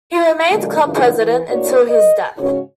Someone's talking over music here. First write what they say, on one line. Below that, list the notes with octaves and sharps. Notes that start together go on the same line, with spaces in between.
He remained club president until his death.
A#2 D3 F#3 G#3 A#3
F#2 C#3 E3 D4 F4
E3
A2 A#3 D4 F#4 C#5 D5
D#5
G#2 C#3 C#4 F#4 C#5